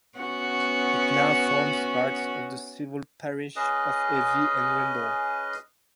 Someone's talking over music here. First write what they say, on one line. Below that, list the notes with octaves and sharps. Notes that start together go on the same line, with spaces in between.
It now forms part of the civil parish of Evie and Rendall.
B3 C#4 F#4
C#4 G#4 B4 D#5